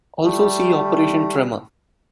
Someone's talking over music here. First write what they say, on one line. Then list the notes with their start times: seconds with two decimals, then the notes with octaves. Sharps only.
Also see Operation Tremor.
0.24 G3 A3